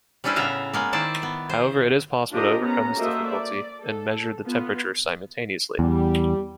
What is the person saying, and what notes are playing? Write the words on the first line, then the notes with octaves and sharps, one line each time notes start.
However, it is possible to overcome this difficulty and measure the temperature simultaneously.
G3 C#4 D4 E4 B4 C5
A2 C#3 B3 E5 F5 A#5
G#3 A#3 B3
D#3 E4 C5 D5 A5
B3
C5
D4 F4 G4 A#4 C5 D#5
B3 C#4 A#5
A#3 F#4 A4 C5 D#5 E5
D5
A4
B3 F4
E2 G3